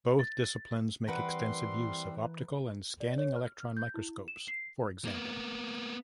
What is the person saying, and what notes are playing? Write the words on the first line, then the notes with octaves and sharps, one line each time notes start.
Both disciplines make extensive use of optical and scanning electron microscopes, for example.
A6
E3 G3 C4 A#4 B4 F#5 C6
D5
C#5
F6
F6
G6
E4
E7
C7
A#3 B3